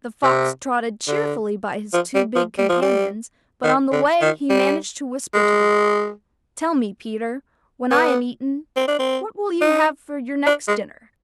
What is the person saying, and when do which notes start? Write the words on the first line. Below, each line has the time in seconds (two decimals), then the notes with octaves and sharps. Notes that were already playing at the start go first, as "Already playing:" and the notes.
The fox trotted cheerfully by his two big companions, but on the way he managed to whisper to the wolf: 'Tell me, Peter, when I am eaten, what will you have for your next dinner?'
0.23 C3
1.08 D3
1.93 F3
2.15 G3
2.36 F3
2.58 G3
2.69 F3
2.82 G3
3.64 D#3
3.92 D3
4.21 D#3
4.50 G3
5.34 G#3
7.91 B3
8.76 C4
8.88 D4
8.99 C4
9.61 D#4
10.46 D4
10.68 G#3